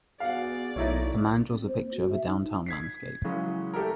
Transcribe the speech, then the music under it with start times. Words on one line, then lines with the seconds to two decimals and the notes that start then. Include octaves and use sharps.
A man draws a picture of a downtown landscape.
0.20 B3 F#4 G#4 D5 F5 F#5
0.76 B1 A3 A#3 D#4 E4 C#5
1.52 C4
1.67 C5
1.81 A#3
1.94 F#4
2.12 E5
2.25 D#4
2.66 G#6 B6 C7
3.24 C#3 E3 F#3 G#3 C#4
3.74 A3 G4 A4 A#4